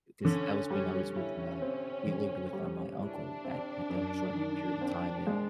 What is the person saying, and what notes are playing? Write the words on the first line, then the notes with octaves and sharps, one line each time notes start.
'cause that was when I was with, uh we lived with, uh, my uncle at at that short period of time, and,
D3 C#4
G3 C#4
C#4 E4
C4
D3
G3
D4 E4
C4
F#2
D#3
C4
G#3